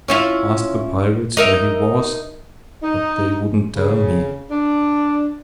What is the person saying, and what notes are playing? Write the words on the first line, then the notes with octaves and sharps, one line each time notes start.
I asked the pirates where he was; but they wouldn't tell me.
C#4 E4 F4
D#4 A#4 E5
D#4
C#3
D4